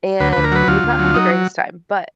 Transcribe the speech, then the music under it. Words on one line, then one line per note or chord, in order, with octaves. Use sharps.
and we've not had the greatest time, but
D2 B4
D2 B4
A#4
F#3 B4
D2 F4
D2
F#3
F#3 D#4